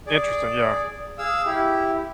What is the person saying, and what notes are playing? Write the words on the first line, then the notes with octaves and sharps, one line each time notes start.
Interesting, yeah.
G#4 D5
G#4 F5 E6
E4 G4